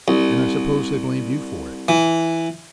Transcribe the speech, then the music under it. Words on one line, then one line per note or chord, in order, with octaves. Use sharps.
"And I suppose they blamed you for it."
C2
E3